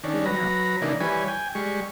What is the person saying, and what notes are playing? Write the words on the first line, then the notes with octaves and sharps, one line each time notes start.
She went out.
D#3 C#4 D4
F#3 B4 A#5
C#3 E3 A#3 D4 D#4
E3 G3 B4 C#5 G#5
G5 G#5
G3 G#3 C#6